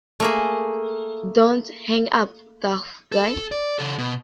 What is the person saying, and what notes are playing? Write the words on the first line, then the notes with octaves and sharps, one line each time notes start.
Don't Hang Up, Tough Guy!
A3 A#3 G#4
A4
D5
C#3 A4
B2